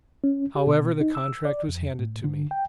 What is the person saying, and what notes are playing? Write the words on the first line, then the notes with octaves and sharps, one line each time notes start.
However, the contract was handed to me.
C#4
G4
B2
D#4
E6
D5
F2
A2
D3
G5